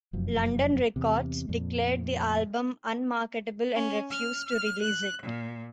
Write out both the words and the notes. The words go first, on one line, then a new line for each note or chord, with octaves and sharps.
London Records declared the album unmarketable and refused to release it.
F1 F#2 F3
E2 C3
F2 A#2
C#4
F6
F6
F#6
A#2